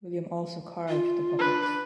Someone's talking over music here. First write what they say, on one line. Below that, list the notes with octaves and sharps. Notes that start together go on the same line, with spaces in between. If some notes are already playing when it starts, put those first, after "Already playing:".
William also carved the puppets.
F4
D4 B4